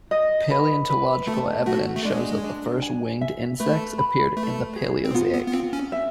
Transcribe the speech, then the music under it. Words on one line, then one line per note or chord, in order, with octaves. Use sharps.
Paleontological evidence shows that the first winged insects appeared in the Paleozoic.
D#5
B4
B4
A3 A4
A3 F#4
A3
G#3 D4
D4
G#5
E5
A3 B4
B5
A3 B4
G#4
C4
B3 F4
B3
B3
C4 F4
C#4
E5